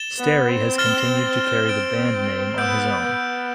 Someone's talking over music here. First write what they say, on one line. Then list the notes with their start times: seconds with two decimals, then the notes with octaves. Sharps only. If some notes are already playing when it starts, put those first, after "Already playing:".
Sterry has continued to carry the band name on his own.
Already playing: A6 E7 G7
0.19 B3
0.49 C4
0.78 F6 A6 E7 G7
1.67 C4 F6 A6 D7 G7
2.57 B3 E6 G6 D7
3.02 B3